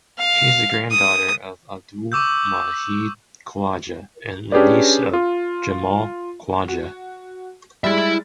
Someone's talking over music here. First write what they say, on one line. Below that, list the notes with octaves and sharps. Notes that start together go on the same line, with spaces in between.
She is the granddaughter of Abdul Majeed Khwaja and the niece of Jamal Khwaja.
F5
D#6
C#6 D6 E6 G6
C#4 D4 G4 G#4 B4 D5
F4
F#4
G3 G#3 E4 E5 A6